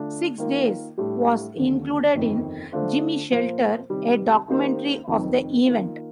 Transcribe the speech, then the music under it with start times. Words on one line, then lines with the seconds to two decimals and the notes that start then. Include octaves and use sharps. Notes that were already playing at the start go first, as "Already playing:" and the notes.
"Six Days..." was included in "Gimme Shelter", a documentary of the event.
Already playing: D3 A3 D4 F4
0.38 D#3 A#3 F4
0.97 A2 G3 D4 G4
1.56 D#2 D3 F3
2.14 G1 F2 D#3
2.72 D3 A3 D4 F4 C5
3.31 A#2 F3 A#3 F4 C5
3.90 C3 D#3 G3
4.48 D#3 A#3 D#4 G4 C5
5.08 F1 F2 D#3
5.66 D#3 A#3 F4